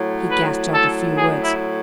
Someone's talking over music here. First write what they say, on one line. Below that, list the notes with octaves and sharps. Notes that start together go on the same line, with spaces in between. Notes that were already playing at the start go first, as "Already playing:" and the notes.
He gasped out a few words.
Already playing: A2 F#3
B4
A4
G#4
E4